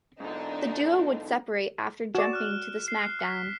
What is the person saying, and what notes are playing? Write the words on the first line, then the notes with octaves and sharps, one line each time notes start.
The duo would separate after jumping to the SmackDown!
G#2 D3 D4 D#4
F#4 D5 E7
F6 F#6
C7
F6 B6